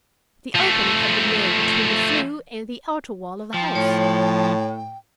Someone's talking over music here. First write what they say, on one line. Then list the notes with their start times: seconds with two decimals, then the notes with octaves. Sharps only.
The opening had been made between the flue and the outer wall of the house.
0.56 F3 A3
3.54 F3 G5
3.75 A2 C#5